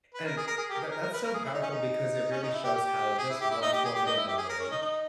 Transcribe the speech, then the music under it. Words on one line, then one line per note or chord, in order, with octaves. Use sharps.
And that that's so powerful because it really shows how just one formative memory
B4
A#4
G#4
A#4
G#4
G4
A#4
G#4
A#4
A#4
B4
A#4
G#4
E4
D#4
C#4
D#4
C#4
D#4
E4
G4
G4
G#4
E4
G4
E4
D#4
G4
G#4
G4
D#4
E4
G4
G#4
A#4
C#4
D#4
D#4